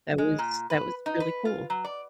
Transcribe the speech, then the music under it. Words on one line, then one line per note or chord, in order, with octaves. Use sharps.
that was that was really cool.
G#3
A#2
B4
D#4
B4
F4
F#3
D5